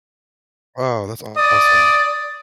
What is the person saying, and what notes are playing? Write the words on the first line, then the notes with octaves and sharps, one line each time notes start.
Oh, that's awesome.
D5 D#6